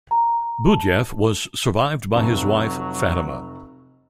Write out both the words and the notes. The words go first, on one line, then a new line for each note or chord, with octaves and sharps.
Boudiaf was survived by his wife, Fatima.
A#5
A5
F1 F#3 A5